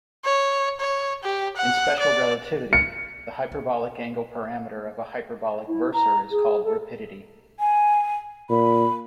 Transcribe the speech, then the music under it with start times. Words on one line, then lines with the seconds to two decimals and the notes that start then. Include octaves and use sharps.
In special relativity, the hyperbolic angle parameter of a hyperbolic versor is called rapidity.
0.24 C#5
0.80 C#5
1.23 G4
1.56 F#5
2.00 D5
2.73 C#7
5.68 E4
5.93 A#5
6.31 G#4
6.64 A4
7.60 G#5
8.50 A#2 B5